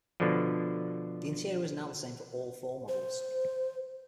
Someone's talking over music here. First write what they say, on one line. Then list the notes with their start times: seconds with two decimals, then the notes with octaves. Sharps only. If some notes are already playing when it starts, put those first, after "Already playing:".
The interior was now the same for all four models.
0.20 B2 D3 F3
2.88 C5